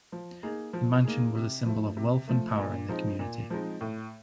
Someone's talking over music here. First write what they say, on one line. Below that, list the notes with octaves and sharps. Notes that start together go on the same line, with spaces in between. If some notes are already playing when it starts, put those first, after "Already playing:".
The mansion was a symbol of wealth and power in the community.
F3
A#3 D#4 G#4
F3
A#3 D#4 G#4
C3
F3 A3
C3
F3 A3
A#2
F3 G#3 C4 D#4
A#2
F3 G#3 C4 D#4
A2